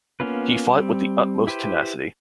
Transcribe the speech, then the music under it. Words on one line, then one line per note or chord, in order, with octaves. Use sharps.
He fought the with the utmost tenacity.
A#3 B3 C#4 F4 B4
G3 C4
E4 G4 B4 C5